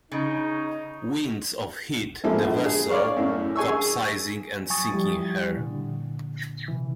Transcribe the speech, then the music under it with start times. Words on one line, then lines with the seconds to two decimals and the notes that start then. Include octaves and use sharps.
Winds of hit the vessel, capsizing and sinking her.
0.12 C#3 D#4
2.24 F3 G#3 A#3 E4 A4
2.42 A#1
2.66 G#4
2.90 C#5 D5 F5 C#6
3.16 F#2 A2
3.56 G#4 G#5 C#6 E6
4.70 F#3 G#5 C#6 D#6 A6
4.91 F3 G3 E4 G4
5.57 A#2 D3
6.68 C3 E3